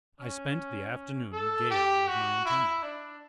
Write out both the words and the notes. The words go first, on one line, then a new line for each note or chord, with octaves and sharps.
I spent the afternoon gaily with my intended.
C#4
A4
G4
F#4
E4
D4